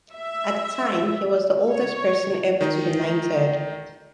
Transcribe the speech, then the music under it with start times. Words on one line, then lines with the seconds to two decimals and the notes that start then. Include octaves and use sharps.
At the time, he was the oldest person ever to be knighted.
0.13 E5
1.73 C#5
2.61 D#3 D#4